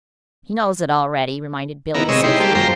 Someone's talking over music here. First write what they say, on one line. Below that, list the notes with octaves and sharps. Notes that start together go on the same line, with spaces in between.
"He knows it already!" reminded Billie swiftly.
D#3 B3 E4 A#4
C3 G#3 C#5 D#5 E6
G#3 D#4 E4 G4 C5
G3 G#3 A#3 G4 A4
F#2 F4 C5 G5 A#5